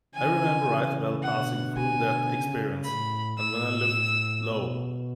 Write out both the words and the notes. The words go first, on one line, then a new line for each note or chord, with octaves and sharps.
I remember right well passing through that experience; and when I looked, lo!
C#3 E3 G#5
B2 D3 F#5
G#5
C#3
A2 B5
A2 E6
B2